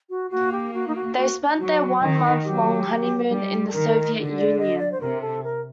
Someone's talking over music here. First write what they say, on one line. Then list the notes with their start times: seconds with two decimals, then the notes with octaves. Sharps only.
They spent their one-month-long honeymoon in the Soviet Union.
0.10 F#4
0.31 A#3 F#4
0.52 G4
0.74 F#4
0.87 D#4
0.95 F#4
1.16 F#4
1.59 F#3 F#4
2.02 D#3
2.44 F#3 G4
3.30 G3 G4
3.68 A4
3.73 D#3 A#4
4.16 D3
4.37 D5
4.58 D#5
4.79 D5
4.92 C5
5.00 C3 A#4
5.22 A4
5.44 A#4